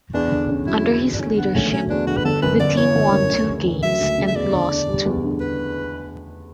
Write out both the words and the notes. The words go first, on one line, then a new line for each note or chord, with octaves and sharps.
Under his leadership, the team won two games and lost two.
E2 D4
D3
C#4
F#3 E4
E2
D3
D4
E2 C#4
D3 B3
A3 C#4
F#3 C#4
E2 D4
D3 F#4
B4
G1 A4
F#2 B4
G1 D5
E3 C#5
G1
F#2
D2
C#3
D2
F#3 E5
D2
C#3
E5
E2 D5
D3
D4
G3
E2
D3
B4